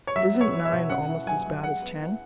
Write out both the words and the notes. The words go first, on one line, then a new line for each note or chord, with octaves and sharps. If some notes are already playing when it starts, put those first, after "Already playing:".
Isn't nine almost as bad as ten?
C#5
F#3 E5
B3
C#5
E4
E5
B2
C#4 F#5
E4
F#3 G#5
F#3
G#3 F#5
B3
E4